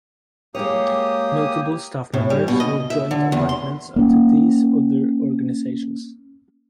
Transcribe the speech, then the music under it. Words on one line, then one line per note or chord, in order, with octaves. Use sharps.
Multiple staff members hold joint appointments at these other organisations.
G#3 A#3 G4 C#5 D#6
A2
G3
B2
D#5
E5
D3
E2
C6
A#3 C#4